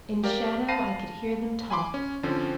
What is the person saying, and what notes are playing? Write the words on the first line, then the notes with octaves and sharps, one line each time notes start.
In shadow, I could hear them talk.
G4 A#4 D5 F5
F5 A5 B5 A#6 C7 D#7
G#5 B5 C6 D6
C#4
D3 F3 C4 C#4